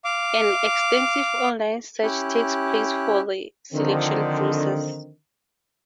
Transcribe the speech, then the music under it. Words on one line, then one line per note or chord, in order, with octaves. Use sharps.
An extensive online search takes place for the selection process.
F5 D6
C#4 E4 G4 F#6
D3 D#3 F3 C4